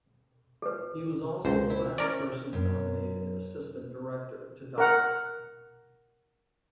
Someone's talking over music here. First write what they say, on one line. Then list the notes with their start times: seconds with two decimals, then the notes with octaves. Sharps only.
He was also the last person nominated Assistant Director to die.
0.62 A4 B4
1.45 C#2 C5
1.70 E4
1.98 C#4 A#4 D5
2.53 F#2
4.78 A#4 F#5